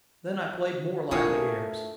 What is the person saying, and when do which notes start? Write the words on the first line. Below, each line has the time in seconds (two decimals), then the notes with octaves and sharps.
Then I played more lively airs.
1.11 A3 A#3 D4 E4 F4 G#4 A#4 C#5